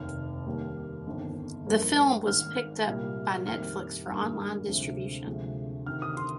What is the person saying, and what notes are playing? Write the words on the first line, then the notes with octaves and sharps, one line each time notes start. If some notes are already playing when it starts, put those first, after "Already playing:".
The film was picked up by Netflix for online distribution.
Already playing: F1 D#2 D#3 F6
D#2 D#3 G3 A#3
G1 F2 D#3
G2 F3 A#3
G#1 G#2 D#3 F6
C2 A#2 G3 A#3
F2 D#3 G3 A#3 F6
G#1 G2 D#3 G3 A#3
D2 C3 F3 G#3
D2 C3 F3 G#3
D2 C3 D#3 F6
D#6
C6